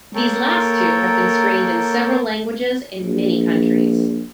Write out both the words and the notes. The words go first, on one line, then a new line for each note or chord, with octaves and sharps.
These last two have been screened in several languages in many countries.
A#3 A4 A#4 C#5 G5
A#1